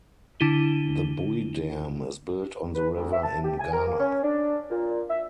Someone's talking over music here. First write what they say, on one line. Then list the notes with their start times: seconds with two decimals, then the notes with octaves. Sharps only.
The Bui Dam is built on the river in Ghana.
0.40 D3 D4 E4 D#7 G7
2.75 B4
2.96 D2
3.12 E5
3.23 A5
3.43 G4
3.59 G#5
3.73 A#4
3.88 A#3
3.99 C#4
4.23 D4
4.70 A#2
5.09 E5